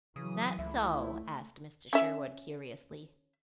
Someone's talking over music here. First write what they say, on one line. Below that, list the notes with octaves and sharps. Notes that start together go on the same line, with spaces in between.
"That so?" asked Mr. Sherwood curiously.
C#3 E3 F#3 D#6
C#2 A3 E4
C#4 E5